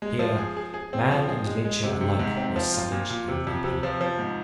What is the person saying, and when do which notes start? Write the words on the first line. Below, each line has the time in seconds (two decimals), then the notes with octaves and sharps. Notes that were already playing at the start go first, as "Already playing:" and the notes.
Here man and nature alike were savage and repellent.
0.02 G#3
0.19 F3
0.38 G#4
0.57 G#4
0.74 G#4
0.93 C4
1.11 F3
1.29 G#4
1.47 G#3
1.65 G#3
1.83 C3
2.01 C3
2.19 G#2
2.37 C4
2.56 F3
2.74 F4
2.92 A#2
3.10 A#2
3.28 C3
3.47 F2
3.64 C3
3.83 F3
4.01 F3
4.19 G#2